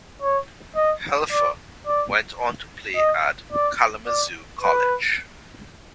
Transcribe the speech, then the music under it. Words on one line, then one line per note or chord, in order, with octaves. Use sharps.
Helfer went on to play at Kalamazoo College.
C#5
D#5
D5
D5
D#5
D5
D5
B4